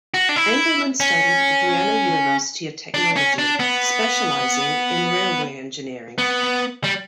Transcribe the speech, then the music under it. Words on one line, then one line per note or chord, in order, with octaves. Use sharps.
Engelmann studied at the Vienna University of Technology, specializing in railway engineering.
F#4
D4
E4
C#4
D4
C#4
D4
B3
B3
G3